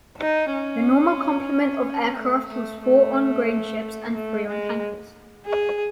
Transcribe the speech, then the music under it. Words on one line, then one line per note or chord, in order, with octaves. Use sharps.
The normal complement of aircraft was four on grain ships and three on tankers.
D#4
C#4
A3
A3
A3
A3
G#3
G#4